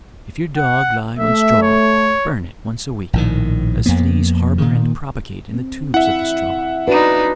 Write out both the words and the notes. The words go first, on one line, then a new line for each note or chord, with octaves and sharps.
If your dog lie on straw, burn it once a week, as fleas harbour and propagate in the tubes of the straw.
F#5
A3 E5
C#5
A#1 A2 D#3
F2 A#3 B3
A#2 D#3
C4
E4 E5 F#5
D4 D#4 F#4 B4